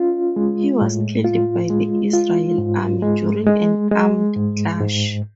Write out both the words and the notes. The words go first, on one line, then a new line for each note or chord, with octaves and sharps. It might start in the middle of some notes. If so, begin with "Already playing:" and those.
He was killed by the Israeli army during an armed clash.
Already playing: C#4 F4
G#3
A2
F4
G#3
F4
G#2
G#3
G#3
G#3
G#2
G#2